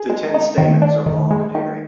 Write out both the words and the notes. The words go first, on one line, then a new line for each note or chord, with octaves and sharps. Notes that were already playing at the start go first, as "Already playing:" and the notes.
The ten stamens are long and hairy.
Already playing: G#4
G#3
D#4
D#3
D4
D#3
G#3
D#3